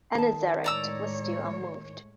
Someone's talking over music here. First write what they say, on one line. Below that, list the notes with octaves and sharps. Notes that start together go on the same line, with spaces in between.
Anaxarete was still unmoved.
D#3 A5
A2 G#3 C#5 D5 A#5 E6